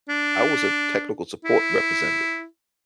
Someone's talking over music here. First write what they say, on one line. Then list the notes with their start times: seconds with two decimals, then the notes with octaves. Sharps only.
I was a technical support representative,
0.09 D4
1.45 E4